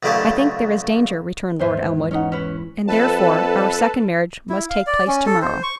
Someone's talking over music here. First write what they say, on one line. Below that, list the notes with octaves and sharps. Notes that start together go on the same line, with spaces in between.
"I think there is danger," returned Lord Elmwood, "and therefore our second marriage must take place to-morrow."
B1 A#2 C#3 A3 G4 A4
E2 G#2 E3 B4 C5 E5
C#4 D#4 F#5
C#4 E4 B4
F2 A4 B4 A5
E4
F5
D5
C#4
A4
C5
C#6